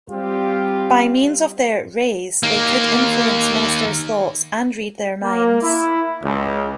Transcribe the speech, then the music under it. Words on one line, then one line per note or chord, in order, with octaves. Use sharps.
By means of their "rays" they could influence ministers' thoughts and read their minds.
G3 C4 F4 G4
D#2 A#3
A#3
E4
C#2